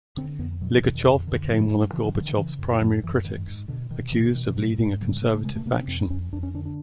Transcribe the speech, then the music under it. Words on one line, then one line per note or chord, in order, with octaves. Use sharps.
Ligachyov became one of Gorbachev's primary critics, accused of leading a conservative faction.
D3 C4
F2 B3
B2 F#3
F3
E2 E3
D#3
F2 D3
D3 D#3
G2 F3
G2
D3 E3
F3
D3 F#3
D#3
C#3 E3
F#2
F#2 F3
F#2 E3
G#2 D#3
G#2
B2 D3
B2 D#3
B2 E3
D3
B2 D#3
E3
G#2 F#3
G#2
C#3 F#3
G3
C#3 A#3
A3
C3 G#3
A3
C3 A#3
C4
F2 C4
F2 C#4
F2 D4
C#4
D3 D4
D4